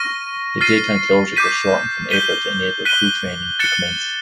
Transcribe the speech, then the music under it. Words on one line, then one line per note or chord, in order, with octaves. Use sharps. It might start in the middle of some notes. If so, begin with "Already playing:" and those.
The daytime closures were shortened from April to enable crew training to commence.
Already playing: C#6 F6 A#6 D#7
F6 A6 C7 D#7
D6 G6 B6 D#7
G6 B6 D#7 G7
F#6 B6 D#7 G7
F#6 A6 C#7 E7 G7